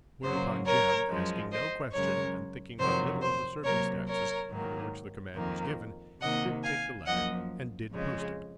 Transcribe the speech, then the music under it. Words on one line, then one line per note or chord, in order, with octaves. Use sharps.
Whereupon Jem, asking no question and thinking but little of the circumstances under which the command was given, did take the letter and did post it.
F#2 C#3 F#3 A#3 C5
A#4 C#5
F#2 F3 G#3
C5 D#5
F#2 C#3 G#3 A#4 C#5
F2 C3 D#3 F#3 C5
C5
C3 F#3 A#3 A#4 C#5
A#4 C#5
G#2 D#3 F#3 A#3
F2 D#3 A#3
C3 D#3 A#3 D#5 F#5
F5 G#5
F#2 F3 A#3 D#5 F#5
F2 C#3 G#3